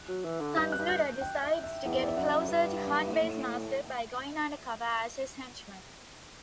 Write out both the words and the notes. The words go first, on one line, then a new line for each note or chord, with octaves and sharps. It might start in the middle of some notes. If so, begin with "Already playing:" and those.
Sanjuro decides to get closer to Hanbei's master by going undercover as his henchman.
Already playing: F#6
F#3
E3
D3
G2 G6
F#6
G2
G6
G5
E5
E5
E2 F#5
E5
D5
E5
F#2 F#5
G2
A2